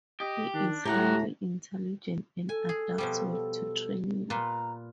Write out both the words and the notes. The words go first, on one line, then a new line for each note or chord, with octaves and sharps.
He is highly intelligent and adapts well to training.
G4 D#5
D#3 D4
D2 A2 A3 G4 F#5 A#5
A4 G#5
G#4
B2 F3 G3
A4
A#2 F4 B4 A#5